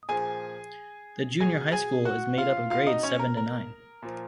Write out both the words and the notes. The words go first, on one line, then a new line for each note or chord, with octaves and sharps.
The junior high school is made up of grades seven to nine.
A#2 F3 G#4 G#5
B2 G#4 G#5
G#4 G#5
F#4 F#5
F4 F5
B2 F4 F5
D#4 D#5
C#4 C#5
A#4
A#4
A#2 F3